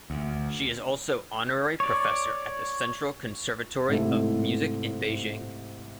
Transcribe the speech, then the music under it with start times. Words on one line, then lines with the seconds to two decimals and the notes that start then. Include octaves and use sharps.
She is also honorary Professor at the Central Conservatory of Music in Beijing.
0.10 D2
1.80 C#5 D5
3.89 G#2 C3 A3 E4